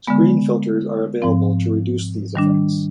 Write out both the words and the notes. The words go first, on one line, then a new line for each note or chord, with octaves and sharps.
Screen filters are available to reduce these effects.
D3 G#3 B3
G#2 F3 C4
D#3 G3 D4